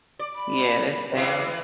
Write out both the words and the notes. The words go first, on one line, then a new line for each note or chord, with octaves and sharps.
Yeah, that's sad.
D5
B5
E2 E3 G#3 F5